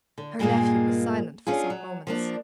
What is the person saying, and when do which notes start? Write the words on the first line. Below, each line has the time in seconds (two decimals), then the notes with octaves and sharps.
Her nephew was silent for some moments.
0.18 D3
0.39 G2 A#2 G#3 A#3 F4 G#4
1.47 C#4 D4 F4 G#4
1.70 F#3
2.07 F3 A#3 D4